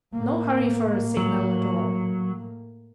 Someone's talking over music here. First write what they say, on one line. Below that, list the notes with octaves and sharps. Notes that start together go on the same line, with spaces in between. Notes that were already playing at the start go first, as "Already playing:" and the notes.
No hurry for a signal at all.
A2 A#3
F#3